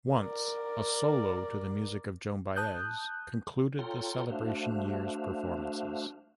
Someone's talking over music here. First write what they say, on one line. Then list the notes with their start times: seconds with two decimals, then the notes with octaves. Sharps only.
"Once", a solo to the music of Joan Baez, concluded the celebration year's performances.
0.15 A#4 D5
2.56 A5 D#6 F#6 G6
3.79 F4 A4 C#5 G5 A#5 C6
4.30 A3 D4 F#4 C5 E5 F5